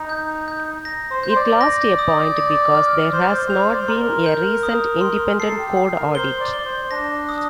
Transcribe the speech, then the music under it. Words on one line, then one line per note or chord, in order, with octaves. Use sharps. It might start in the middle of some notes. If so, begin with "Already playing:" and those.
It lost a point because there has not been a recent independent code audit.
Already playing: D#4
G6
G6
A#6
C5
G6
C5
D5
A#6
D#6
A6
F6
C5 F6
D5
C5
F7
D5
C5
A#4 C6
G6
D#6
C6
A4 C7
G4
C7
A#4
C5 G7
D5
G7
C5
D4 A#6
D#6